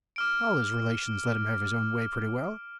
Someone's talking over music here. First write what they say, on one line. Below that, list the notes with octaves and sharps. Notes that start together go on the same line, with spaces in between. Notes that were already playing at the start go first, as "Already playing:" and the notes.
All his relations let him have his own way pretty well.
D6 F6 D7